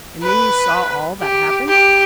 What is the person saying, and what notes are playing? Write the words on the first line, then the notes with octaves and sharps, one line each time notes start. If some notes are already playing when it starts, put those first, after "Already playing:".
"And then you saw all that happened?"
B4
G4
G4